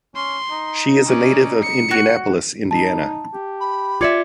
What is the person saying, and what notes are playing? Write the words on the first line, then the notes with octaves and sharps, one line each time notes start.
She is a native of Indianapolis, Indiana.
C#4 C6
D#4
C#4 D5
C#7
F#4
D#4 A5
G4
B5
F4 D5 E5 D6 G#6 C#7